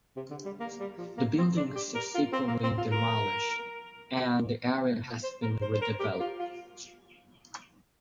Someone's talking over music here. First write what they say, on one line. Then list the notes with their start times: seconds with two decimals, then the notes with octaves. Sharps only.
The buildings subsequently demolished and the area has been redeveloped.
0.16 C3
0.30 D3
0.45 G3
0.60 A#3
0.80 G3
0.98 F3
1.17 A#3
1.38 C4
1.57 D4
1.75 G4
1.95 A#4
2.14 F4
2.33 C4
2.48 A#3
2.63 C4
2.78 F4
2.92 A#4
5.23 C5
5.43 A#4
5.61 C5
5.73 C5
5.81 A#4
6.00 G4
6.20 F4
6.39 F4